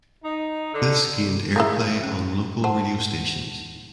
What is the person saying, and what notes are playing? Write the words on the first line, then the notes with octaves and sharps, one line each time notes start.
This gained airplay on local radio stations.
D#4
D3
E4 G#4 A#4 F5 D#6
C#4
C5 F#5 A5 C6